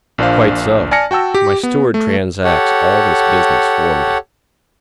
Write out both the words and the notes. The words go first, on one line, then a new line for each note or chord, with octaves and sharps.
"Quite so; my steward transacts all this business for me."
A#1 A#2 D4 C5 F5
D5 G#5 A5 F6 A#6 C#7
F#4 G5 A5 E6
G4
B3
A3
G4 A4 C#5 F#5